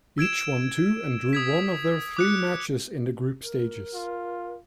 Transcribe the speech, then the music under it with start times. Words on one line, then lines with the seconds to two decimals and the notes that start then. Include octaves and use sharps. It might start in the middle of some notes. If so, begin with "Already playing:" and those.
Each won two and drew one of their three matches in the group stages.
0.18 E6 G#6 D7 E7
1.33 D#6 G#6 B6
2.17 D6 F#6 C#7
3.43 A#4
3.94 F4